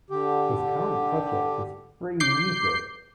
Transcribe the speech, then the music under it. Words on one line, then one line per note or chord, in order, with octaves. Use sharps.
His current project is Free Music!
D3 G4
D6 G6 C7